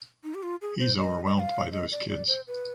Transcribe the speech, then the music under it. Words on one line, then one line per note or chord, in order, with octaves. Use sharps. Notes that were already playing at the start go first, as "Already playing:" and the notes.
He’s overwhelmed by those kids.
D#4
G4
F4
G#4
C5
D#5
D#5
G5
F5
D#5
D5
D5
C5
B4